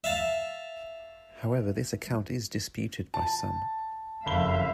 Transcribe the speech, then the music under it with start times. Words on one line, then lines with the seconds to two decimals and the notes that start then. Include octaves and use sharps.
However this account is disputed by some.
0.04 E5 F5 A5
3.14 A5
4.26 F#1 F2 D3 E5 F5 B5 G7